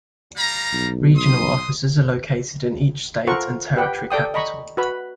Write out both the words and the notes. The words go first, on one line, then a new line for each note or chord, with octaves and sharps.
Regional offices are located in each state and territory capital.
G3 F5 A#5
B1
C6 D#6
F4 A4 A#4 C5 F#5 C#6
G4 B4 F#5 G5
A4 D5 G5 D#6
D#5 A#5 B5 C#6
F#4 B4 B5